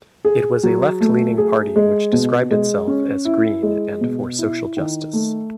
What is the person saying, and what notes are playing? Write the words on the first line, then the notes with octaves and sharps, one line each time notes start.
It was a left-leaning party which described itself as green and for social justice.
G#4
F#3
A3
G#4
G#3
B2
G#3
C#4
E4
G#3
B2
E4
D#3
A3